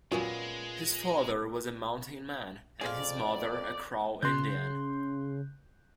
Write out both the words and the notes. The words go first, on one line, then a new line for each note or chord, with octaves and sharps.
His father was a mountain man and his mother a Crow Indian.
F#2 A#2 G#3 B3 C#4 F4
F2 G#4 C5 D5 F5
C#3 C6 F#6 G6